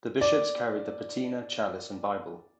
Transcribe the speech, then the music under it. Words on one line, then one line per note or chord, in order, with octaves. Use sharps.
The bishops carried the patina, chalice, and Bible.
D5